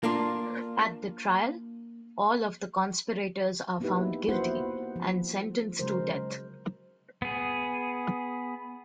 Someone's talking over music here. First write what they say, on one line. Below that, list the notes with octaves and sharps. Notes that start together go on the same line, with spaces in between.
At the trial, all of the conspirators are found guilty and sentenced to death.
A#3 D4 F4
A#3 B3 D#4 E4 G4 B4
A#3 B3 E4 F#4 C5 F#5
F3
C#3 F#3 G#3 A#4 C5
B3 G#4